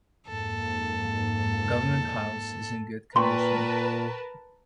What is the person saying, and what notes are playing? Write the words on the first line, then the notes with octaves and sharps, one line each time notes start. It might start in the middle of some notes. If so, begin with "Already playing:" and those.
Government House is in good condition.
F2 G#2 A#3 A4
A#2 A#4 B4 G5 A5 A#5 C6 C#6